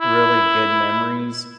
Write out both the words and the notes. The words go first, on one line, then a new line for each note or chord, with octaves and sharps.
really good memories,
E4